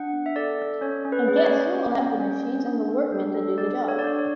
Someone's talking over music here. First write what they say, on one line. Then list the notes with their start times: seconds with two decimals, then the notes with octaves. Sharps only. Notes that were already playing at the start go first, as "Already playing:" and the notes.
And guess who will have the machines and the workmen to do the job?
Already playing: D4 F#5
0.13 B3
0.26 E5
0.36 A4 D5
0.59 A4
0.81 C#4 C#5
1.05 C#4
1.12 B4
1.28 G#4
1.37 D5
1.44 C#5
1.51 C#4
1.74 C#4
1.97 C#4
2.20 C#4
2.44 C#4
2.66 D4
2.89 A4
3.12 D4
3.35 A4
3.58 D4 D5
3.81 A4
3.88 C#5
3.99 D5
4.04 D4 C#5
4.19 C#5